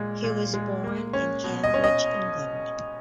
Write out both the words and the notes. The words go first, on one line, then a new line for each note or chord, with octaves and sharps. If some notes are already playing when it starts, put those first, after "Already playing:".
He was born in Cambridge, England.
Already playing: A#2 G#3
A#2
G#3
A#3
C#4
B2
D#5
C#4
D#5